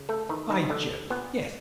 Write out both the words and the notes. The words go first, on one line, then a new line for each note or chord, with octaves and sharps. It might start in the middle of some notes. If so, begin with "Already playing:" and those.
By Jove! yes.
Already playing: C#3
A3 A4
D#3 E3 D#4
D#3 D#4
D3 A3 D4
A#2 B3